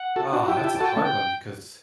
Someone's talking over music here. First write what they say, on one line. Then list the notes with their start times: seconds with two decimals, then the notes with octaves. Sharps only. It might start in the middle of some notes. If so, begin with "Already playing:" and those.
Ah, that's a hard one because
Already playing: F#5
0.16 F#4 A4
0.32 D4 F#4
0.43 F#4
0.48 E4 G4 G5
0.57 A5
0.64 E4 G4
0.67 G5
0.76 A5
0.80 F#4 A4
0.85 G5
0.95 A3 C#4 A5
1.03 G5